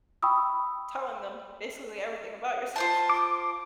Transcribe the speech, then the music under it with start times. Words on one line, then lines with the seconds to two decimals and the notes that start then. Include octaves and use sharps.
telling them basically everything about yourself.
0.23 G5 B5 C#6 D#6 E6
2.76 F4 C5 A5
3.09 D6